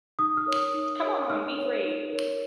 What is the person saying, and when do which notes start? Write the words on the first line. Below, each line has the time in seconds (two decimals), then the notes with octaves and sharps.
Come on, be brave!
0.19 D#4 D#6
0.37 F6
0.47 A#4 C#5
0.56 D#6
0.74 D#4
1.02 A#4 C#5
1.29 D#4 F6
1.57 A#4 C#5
1.85 D#4
2.13 A#4 C#5